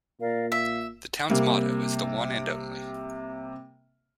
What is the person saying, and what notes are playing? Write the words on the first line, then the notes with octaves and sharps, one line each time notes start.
The town's motto is The One and Only.
A#2 A#4 D5 F5
E5 F5
C3 G3 A#3